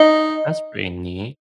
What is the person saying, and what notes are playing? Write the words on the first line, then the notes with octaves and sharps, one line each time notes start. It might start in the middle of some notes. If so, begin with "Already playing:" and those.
That's pretty neat
Already playing: D#4